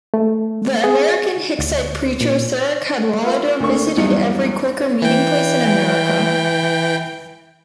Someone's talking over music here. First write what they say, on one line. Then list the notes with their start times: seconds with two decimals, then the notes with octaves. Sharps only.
The American Hicksite preacher Sarah Cadwallader visited every Quaker meeting place in America.
0.14 A3
0.84 G#4
1.59 D2
2.21 A#2
3.23 F4 A#4 E5 F5
3.60 D2 D3 A#3 C#6
3.97 E2 G2 F#3 G3
5.02 E3 G5